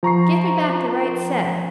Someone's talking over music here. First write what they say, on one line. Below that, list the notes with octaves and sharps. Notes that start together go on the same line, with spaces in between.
'Give me back the right set.
F3 A#5 C#6 C7